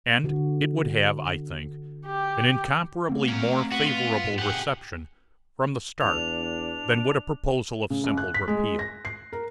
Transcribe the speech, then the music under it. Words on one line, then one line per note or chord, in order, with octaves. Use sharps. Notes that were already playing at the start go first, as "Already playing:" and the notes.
And it would have, I think, an incomparably more favorable reception, from the start, than would a proposal of simple repeal.
D3 F#4
G4
A3 C4
C#4 A#4
B3 F#4
F4
G#2
G4 G#4 F#5
E2 D4 F7
C#3
C#2
F#6
B6
G#3
A#6
C7
A#4